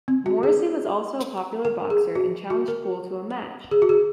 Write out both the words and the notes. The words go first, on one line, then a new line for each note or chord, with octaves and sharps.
Morrissey was also a popular boxer and challenged Poole to a match.
C4
F#4
G#4
A#4
G#4
F#4
F#4
A#4
G#4
F#4
G#4